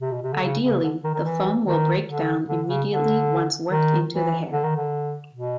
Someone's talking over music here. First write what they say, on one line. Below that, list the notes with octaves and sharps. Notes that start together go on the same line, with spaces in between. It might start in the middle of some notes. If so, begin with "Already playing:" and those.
Ideally, the foam will break down immediately once worked into the hair.
C3
B2
C3
D3
C#3
C#3
D3
D#3
D#3
E3
D#3
D3
D3
C#3
D3
D#3
E3
D3
D#3
D3
B2